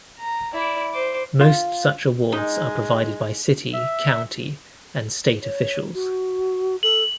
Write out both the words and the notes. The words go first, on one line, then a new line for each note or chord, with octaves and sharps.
Most such awards are provided by city, county and state officials.
A#5
E4 D5
C5 D6
F4
G#3 D#4
E5
C#5
F#4
A4 F#7